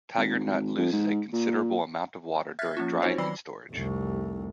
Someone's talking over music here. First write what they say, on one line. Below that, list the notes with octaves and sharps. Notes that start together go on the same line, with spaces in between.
Tiger nut loses a considerable amount of water during drying and storage.
G#1
F2
G#2
A#2
E5 F6 F#6 G#6 A6 B6
F3 A#3 C#4 F4
C4 D#4 F4 F#4 C5 C#5
D#3 F#3 D5 B5 E6 C7
F1 C2